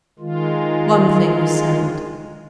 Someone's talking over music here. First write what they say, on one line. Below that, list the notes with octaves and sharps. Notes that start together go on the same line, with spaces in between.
One thing was settled.
D#3 G#3 F4